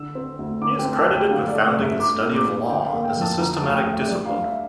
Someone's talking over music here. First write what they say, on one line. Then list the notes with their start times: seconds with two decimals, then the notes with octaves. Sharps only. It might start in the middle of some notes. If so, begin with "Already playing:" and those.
He is credited with founding the study of law as a systematic discipline.
Already playing: D3 E6
0.15 C4
0.39 D2
0.62 D3 D6
0.79 G5
0.84 C4
0.96 A5
1.07 D2
1.14 G5
1.30 D3 F5
1.48 D5
1.54 A3
1.77 G2
1.82 E5
2.00 A3 D6
2.23 A#2
2.35 D6
2.46 A#2
2.69 D3 G5
2.87 F5
2.93 A#3
3.04 G5
3.16 F2
3.21 A5
3.39 D3 A#5
3.56 A5
3.62 D2
3.74 G5
3.85 D2
3.92 E5
4.08 G3 D5
4.26 F5
4.31 D4
4.43 E5